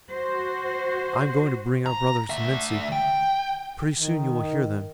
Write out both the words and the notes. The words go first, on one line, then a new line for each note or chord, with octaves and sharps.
I am going to bring our brothers, the Minsi. Pretty soon you will hear them.
F#4 C5
A#5
D2 E5
G5
D#3